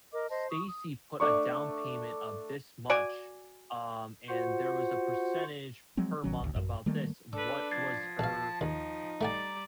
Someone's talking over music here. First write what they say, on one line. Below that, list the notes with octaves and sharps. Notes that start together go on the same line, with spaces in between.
"Stacy put a down payment of this much, um, and there was a percentage per month about this, what was her
A#4 D#5 D6
C5 D#5 A5
C#6 D#6
D#6
A3 D4 C#6
F#4 D5 G#5
F4 F#4 C5 F#5
F3 F#3 G#3 C4
A1 D#3 F#3 C#4
A1 D2
A1 F#2
D#3 G3 A3 A#3
D4 A4 B4 D6
F3 G#6 A6 C7
A#1 F5 A5
D#2 D#4
G3 A3 D5 F#5 G#5 A#5 A6